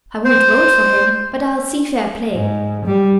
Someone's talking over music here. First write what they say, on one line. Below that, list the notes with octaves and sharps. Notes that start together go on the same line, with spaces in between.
I won't vote for him; but I'll see fair play.
C5
G#2
G3